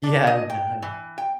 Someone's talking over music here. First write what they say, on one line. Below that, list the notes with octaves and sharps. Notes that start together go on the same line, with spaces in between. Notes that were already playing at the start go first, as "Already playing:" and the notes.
Yeah, no, yeah.
D4
D#5
G5
E3
G5